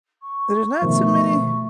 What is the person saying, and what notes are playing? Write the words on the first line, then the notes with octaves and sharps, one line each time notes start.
there's not too many
C#6
B2 D#3 F3 A3